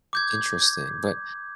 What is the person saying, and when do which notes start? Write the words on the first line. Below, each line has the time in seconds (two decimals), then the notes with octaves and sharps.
Interesting. But
0.13 D6 G6 G#6